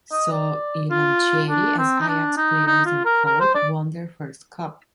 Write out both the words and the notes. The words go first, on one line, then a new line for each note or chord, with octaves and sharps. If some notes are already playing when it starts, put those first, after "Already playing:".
So, “I Lancieri”, as Ajax players are called, won their first cup.
D#5
D5
F4
D4
C4
D#4
D4
D#4
D#4
F4
A#4
A#4
C5
D5